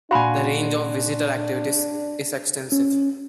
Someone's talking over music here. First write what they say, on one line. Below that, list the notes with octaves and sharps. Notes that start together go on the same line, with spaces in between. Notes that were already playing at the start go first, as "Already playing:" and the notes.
The range of visitor activities is extensive.
A#2 D4 F#4 F5 G#5 B5 C6
C#4